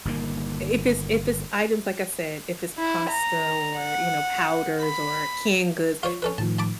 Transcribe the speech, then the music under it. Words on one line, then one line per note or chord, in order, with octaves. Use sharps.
if it's if it's items like, I said, if it's pasta or, you know, powders, or canned goods,
G1 A#2 D#3 A#3
E4
A#5
F#5
B5
F4 C5 C#5
C#4 A4 B4
A2 D#3 F3 A5
A5 B5 D6